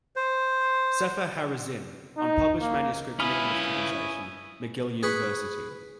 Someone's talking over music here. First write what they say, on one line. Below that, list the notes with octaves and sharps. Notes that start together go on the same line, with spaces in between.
"Sepher Ha-Razim", Unpublished manuscript and English translation, McGill University.
C5
D#4
A#3
C#4 E4 F4 B4 B5 D#6 F6
G#4 B4 B5 C#6